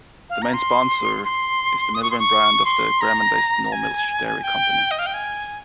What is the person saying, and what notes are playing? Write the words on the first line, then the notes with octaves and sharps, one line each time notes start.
The main sponsor is the Milram brand of the Bremen based Nordmilch dairy company.
F5
A#5
C6
C6
D#6
C#6
C6
C#6
C6
A#5
G#5
G5
D#5
F5
G5
G#5